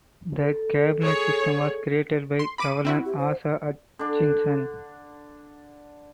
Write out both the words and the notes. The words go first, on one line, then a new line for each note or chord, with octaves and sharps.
The cabinet system was created by Governor Asa Hutchinson.
A4
G#4 C#5
C6
B5 D6 D#7
C4 D4 E4 F#4
G4
C5
D3 D4